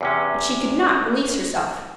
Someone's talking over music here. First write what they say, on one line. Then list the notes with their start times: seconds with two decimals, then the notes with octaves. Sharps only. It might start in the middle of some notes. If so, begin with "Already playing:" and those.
But she could not release herself.
0.01 E2 C3 C#4